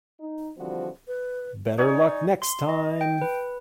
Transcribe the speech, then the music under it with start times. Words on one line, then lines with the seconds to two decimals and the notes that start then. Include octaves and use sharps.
Better luck next time!.
0.19 D#4
0.57 D3 E3 F3 G3 C4 F#4
1.07 B4
1.78 D#4 C#5 D5 G#5
2.42 C6
2.69 D#5
3.01 G5
3.22 B4